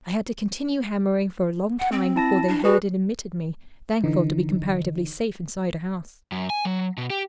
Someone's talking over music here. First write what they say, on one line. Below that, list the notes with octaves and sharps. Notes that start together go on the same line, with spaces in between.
"I had to continue hammering for a long time before they heard and admitted me, thankful to be comparatively safe inside a house."
F#5
C4
E4 A5 A#6
D4
F#4 G#4 B4
D3 E3 D#4
F#2
G#5
F#3
B2
G4